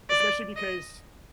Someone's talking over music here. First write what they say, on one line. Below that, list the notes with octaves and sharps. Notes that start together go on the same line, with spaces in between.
especially because,
D5
D#5